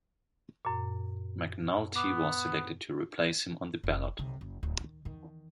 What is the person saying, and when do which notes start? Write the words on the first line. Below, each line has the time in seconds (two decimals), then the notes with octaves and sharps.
McNulty was selected to replace him on the ballot.
0.65 F#2 A#2
1.96 B3 D6
3.84 F1
4.19 B1 C3
4.41 F#1
4.63 D1
4.81 D#3
5.05 E2 D#3